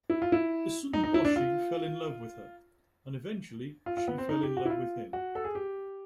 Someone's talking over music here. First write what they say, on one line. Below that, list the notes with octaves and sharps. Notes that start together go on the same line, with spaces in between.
Issun-boshi fell in love with her, and eventually she fell in love with him.
E4
F4
E4
D#4
D#4
E4
D4
F4
F4
F4
B3
C4
D#4
G4
F#4
E4
F4
F#4
A4
G#4
G4